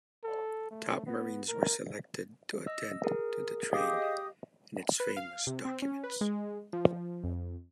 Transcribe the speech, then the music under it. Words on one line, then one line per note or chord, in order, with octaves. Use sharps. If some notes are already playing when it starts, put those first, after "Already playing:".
Top Marines were selected to attend to the train and its famous documents.
A4
A3
B3
A#4
D#5 E6
G#4 A#4
G4 G#4 D#5 F5 D6 D#6
B4
F5
C3
C4
C#4
B4
G#3
F3
F2